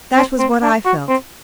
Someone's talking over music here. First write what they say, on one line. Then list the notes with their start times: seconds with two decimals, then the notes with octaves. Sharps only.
That was what I felt.
0.16 C4
0.39 C4
0.63 D4
0.86 F#4
1.09 C4